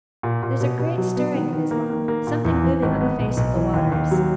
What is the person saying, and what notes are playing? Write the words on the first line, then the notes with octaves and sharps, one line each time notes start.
There's a great stirring in Islam, something moving on the face of the waters.
A#2
A#2
B2
B2
F#3
B3
D#3
D#3
A#3
D#3
A#3
A#2
E2
E3
G#1
B3
B1
B1
E3
D#2
D#2
F#3